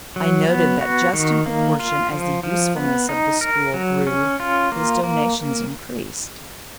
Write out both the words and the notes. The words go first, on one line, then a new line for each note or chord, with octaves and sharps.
I noted that just in proportion as the usefulness of the school grew, his donations increased.
F#3
B3
F#4
D#3
A#3
F4
F3
F3
B3
D#4
A#4
F#3
C#4
F4
A#3
A#3